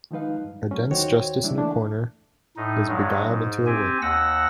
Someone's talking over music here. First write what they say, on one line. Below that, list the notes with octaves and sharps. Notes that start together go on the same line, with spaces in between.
A dense justice in a corner is beguiled into a wink.
D#3 F3 G#3 D#4 B4 F5
G2
F#3 A3 C#4
D#2 D#3 F#4 C5 C#5 G5
C#3 E3 G3 G#3 D4 E4
E3 A3 A#3 D4
A2 D#4
G2 F#3 G#3
G#2
C4 G4 G#5
D#2 F#5 E6 A#6